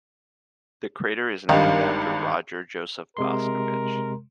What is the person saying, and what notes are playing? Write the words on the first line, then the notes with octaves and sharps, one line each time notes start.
The crater is named after Roger Joseph Boscovich.
G#1 G2 D#3 F5
C3 G#3 A#4 C6